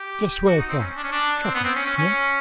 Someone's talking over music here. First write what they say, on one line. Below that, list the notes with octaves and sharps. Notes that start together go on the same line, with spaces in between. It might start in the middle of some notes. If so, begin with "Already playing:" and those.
"Just what I thought!" chuckled Smith.
Already playing: G4
F#4
D#4
C4
C#4
D4
C#4
D4
C4
B3
C4
C#4
C#4
C#4